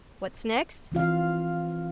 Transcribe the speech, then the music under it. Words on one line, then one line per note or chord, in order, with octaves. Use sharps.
What's next?
E3 C4 F4 F5